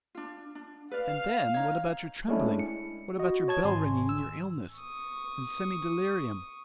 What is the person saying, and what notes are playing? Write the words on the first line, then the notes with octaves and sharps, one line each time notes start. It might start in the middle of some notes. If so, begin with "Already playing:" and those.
And then what about your trembling, what about your bell-ringing in your illness, in semi-delirium?
D4 F4
D4
B4 D5 F5
D#4 C#5
G#3 A3 C#4 D4 E4
C#7
F#4 D#5
C#5 A5 G#6
G#1 G#5 C6
E6
C#6 D#6